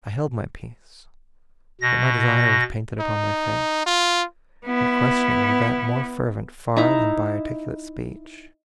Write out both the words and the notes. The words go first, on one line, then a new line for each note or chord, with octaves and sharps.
I held my peace; but my desire was painted Upon my face, and questioning with that More fervent far than by articulate speech.
B2 A#6
D#4
F4
B3 E4
D#4 E4 E5 A#5